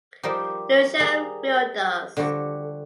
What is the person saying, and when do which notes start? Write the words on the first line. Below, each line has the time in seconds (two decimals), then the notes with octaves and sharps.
Lucia Realtors.
0.23 F3 G3 D#4 G4 A#4 C5
1.00 G3 G#4 A#4 F5
2.17 D3 F3 G3 F#4 A4